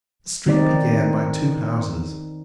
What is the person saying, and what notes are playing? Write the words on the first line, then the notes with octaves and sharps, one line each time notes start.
The street began by two houses.
D#3 C4 D#4 D5